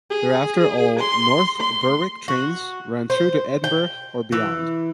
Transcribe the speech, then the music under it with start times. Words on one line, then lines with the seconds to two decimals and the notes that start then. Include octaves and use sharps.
Thereafter, all North Berwick trains ran through to Edinburgh or beyond.
0.10 G#4
1.00 C6
1.61 C6
2.28 F#4
3.10 C5
3.64 G5
4.32 E3